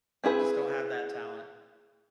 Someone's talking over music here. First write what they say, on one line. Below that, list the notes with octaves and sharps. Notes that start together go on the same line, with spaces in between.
I just don't have that talent.
C4 E4 G#4 B4